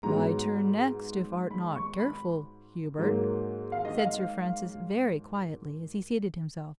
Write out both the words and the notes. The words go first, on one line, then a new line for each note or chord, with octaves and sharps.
"Thy turn next, if art not careful, Hubert," said Sir Francis very quietly, as he seated himself.
G#2 F#3 B3 A#5
B5
C#6
B5
G#2 F#3 A#3
F5
D#5
F5